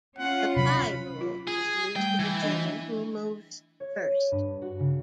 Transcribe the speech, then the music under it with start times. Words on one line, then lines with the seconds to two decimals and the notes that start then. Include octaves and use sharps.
The pie rule is used to determine who moves first.
0.18 C#4 F4 F#5
0.56 C3 F#3 B5
1.21 F4
1.48 G#4
1.96 G3 A3 G5
2.19 E3
2.42 D4 D#5
3.80 C#5
4.11 D#7
4.32 G2
4.62 F#4
4.79 C#3